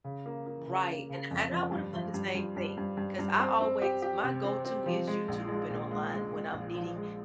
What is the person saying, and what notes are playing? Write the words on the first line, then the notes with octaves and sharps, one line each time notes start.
Right, and and I would have done the same thing 'cause I always my go to is YouTube and online when I'm needing
C#3
A#3
A#3
C#3
A#3
C#3
F2
F3
G2
F3
G2
G2
G2
G2
G2
G2
C4
C4
G4
G4
C3
C4
C4
F3
G#3
A#1
G#3
A#2
G#3
G#3
G#3
A#1
F3
G#3